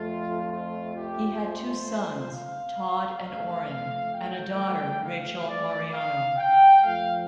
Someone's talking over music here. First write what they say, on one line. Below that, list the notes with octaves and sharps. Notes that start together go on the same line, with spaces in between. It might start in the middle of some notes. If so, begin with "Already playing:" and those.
He had by two sons, Todd and Orrin, and a daughter, Rachel Marianno.
Already playing: F2 F3 A3 F4
F4
G4
C5
F5
F2 F3 A3 F5
G5
F5
D5
F5
G5
F2 F3 A3 F5